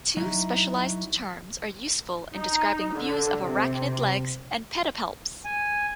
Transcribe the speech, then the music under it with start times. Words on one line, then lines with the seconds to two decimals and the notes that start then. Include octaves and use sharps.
Two specialized terms are useful in describing views of arachnid legs and pedipalps.
0.17 F#3 D#4 E4
2.34 D#4
2.94 D3
3.40 C3
5.45 G#5